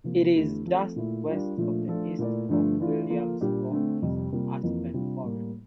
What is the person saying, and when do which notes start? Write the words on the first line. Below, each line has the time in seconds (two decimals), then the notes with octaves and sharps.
It is just west of the East Fork Williams Fork in an aspen forest.
0.04 C3 F3 A#3
0.35 E2 D3 A3 E4 G4
0.66 F3 A3 C4 F4 A4
0.96 A#2 A3 E4
1.27 G3 D4 F4 A#4
1.57 A#2 F3 A3 D4 F4
1.88 F3 A3 D4 F4 A4
2.19 A#2 A3 E4 A#4 D5
2.49 G2 D3 F3 A3 D4
2.80 E3 A3 D4 F4
3.10 F3 A#3 F4 A4
3.41 A#2 G3 D4 G4 D5
3.71 D3 A3 C4
4.02 F2 C3 G3
4.32 C3 G3 A#3 F4
4.63 F2 E3 A#3 F4
4.94 C3 G3 D4 F4
5.24 A2 G3 A#3